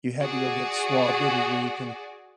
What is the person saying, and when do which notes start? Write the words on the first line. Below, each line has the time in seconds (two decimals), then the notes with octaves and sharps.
you had to go get swabbed every week and
0.20 F#4 G#4 D5